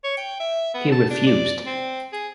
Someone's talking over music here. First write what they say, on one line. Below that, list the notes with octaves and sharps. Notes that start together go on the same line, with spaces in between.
He refused.
C#5
G5
E5
B3
A5
D4
D5
C4
G#4